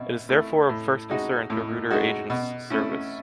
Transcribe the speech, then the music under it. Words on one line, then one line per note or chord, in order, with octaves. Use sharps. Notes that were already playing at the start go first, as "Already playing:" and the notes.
It is therefore of first concern to Reuter Agence Service.
Already playing: B2 E4
A3 E4
A2
G#3 D#4 F#4
A2
G#3 D#4 F#4
B2
A3 C#4 E4